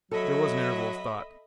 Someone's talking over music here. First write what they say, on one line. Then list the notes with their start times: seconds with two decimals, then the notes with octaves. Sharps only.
There was an interval of thought.
0.11 F#3 A4 D#5 E5 B5